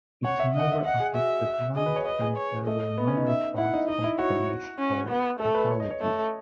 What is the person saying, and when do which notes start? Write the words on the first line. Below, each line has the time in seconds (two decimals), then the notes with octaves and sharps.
It never affected land, and there were no reports of damage or fatalities.
0.24 C#5 F#5
0.40 E5
0.54 D#5 F#5
0.72 E5
0.85 D#5 F#5
1.00 G#4
1.15 F#4 E5
1.76 G#4 D#5
1.86 B4
1.96 C#5
2.06 B4 D#5
2.21 G#4
2.37 C#5
2.67 A3 D#5
2.98 B3
3.08 C#4
3.17 D#4
3.27 E5
3.58 E4 F#5
3.74 D#4
3.88 D#4 D#5
4.04 E4
4.19 F#4 C#5
4.79 C#4
5.09 B3
5.40 A3 A4
5.55 B4
5.70 C#5
5.80 D#5
5.91 C#5
6.01 A3